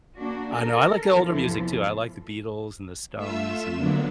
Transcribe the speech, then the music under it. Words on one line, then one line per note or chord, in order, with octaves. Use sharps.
I know. I like the older music too. I like the Beatles and the Stones and,
A#3 D4 F#4
A4 A#4
E2 C3 E3 F3 F4 A4
A3 F4 E5 E6
D3 F#3 A#3 B3 D4